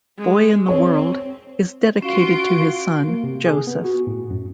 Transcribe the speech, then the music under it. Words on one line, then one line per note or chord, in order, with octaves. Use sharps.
"Boy in the World" is dedicated to his son, Joseph.
G#3
C4 C#5
C#4 F4 F#4 C6 D7
A#3
C3
G#4
B3
F#4
A2
F#2